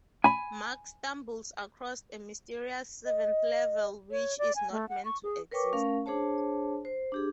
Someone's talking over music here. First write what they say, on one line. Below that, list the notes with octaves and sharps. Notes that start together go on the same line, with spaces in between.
Mark stumbles across a mysterious seventh level which is not meant to exist.
G#5 B5
D#5
C#5
D5
G#5
A3
F#5
C#6
G#4
A#4 B4 C#5 G5 C#6 D6
A3 C#4 A#4 F5 C#6
D4 G#4 C5 C#5 A5
C5
D4 G4 G#4